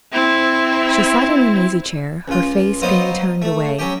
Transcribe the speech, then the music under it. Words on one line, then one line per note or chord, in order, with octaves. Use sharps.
She sat in an easy-chair, her face being turned away.
C4 E4
C#2 F4
F#3 B3 D#4 F4 C5 F5
A3
F#3 C#4 G4